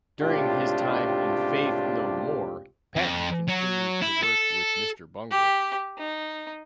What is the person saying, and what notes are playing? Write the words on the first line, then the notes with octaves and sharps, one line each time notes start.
During his time in Faith No More, Patton continued to work with Mr. Bungle.
C#2 A2 C3 D4 F4 G4
F2
F#3
E4
A4
G4
D#4